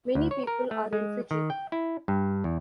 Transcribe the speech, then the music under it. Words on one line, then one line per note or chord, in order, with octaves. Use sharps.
Many people are in Fiji.
D2
C#5
A#4
A3
G#3
D#3
G5
E4
G2
E2